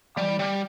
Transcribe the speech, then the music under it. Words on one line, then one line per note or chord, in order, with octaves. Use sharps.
Oh my
G3
G3